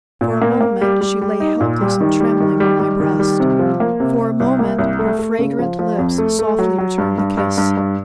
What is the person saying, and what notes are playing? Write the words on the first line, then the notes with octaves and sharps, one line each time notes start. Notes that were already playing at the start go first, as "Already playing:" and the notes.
For a moment she lay helpless and trembling on my breast; for a moment her fragrant lips softly returned the kiss.
A#2
A#3
A#3
G3
G3
G3
D#4
A#2
G3
D#3
G3
D#3
G3
G3
D#3
G3
C3
F3
A#3
C3
C3
C2
A#3
C2
A3
A3
C#3
F3
F3
F2
A3
A3
F#3
F#3
G2
G2
G2
G2
G2